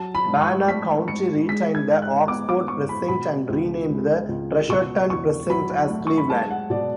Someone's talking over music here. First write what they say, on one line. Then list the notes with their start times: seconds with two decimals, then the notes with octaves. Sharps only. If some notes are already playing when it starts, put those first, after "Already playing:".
Bannock County retained the Oxford precinct and renamed the Treasureton Precinct as Cleveland.
Already playing: F#3 A5
0.15 B5
0.28 G#2
0.41 C#6
0.68 A3 B6
1.08 G#2 C#7
1.48 G#3 B6
1.75 G#6
1.89 G#2
2.02 F#6
2.28 B3 D6
2.49 D6
2.68 G#2 C#6
2.89 B5
3.08 B2 B5
3.49 C#2
3.89 G#3
4.29 C#2
4.69 B2 C#6
5.10 E2 C#6
5.50 F#3 B5
5.90 A3
6.07 C#6
6.18 B5
6.30 G#3 A5
6.51 F#5
6.70 B2 D5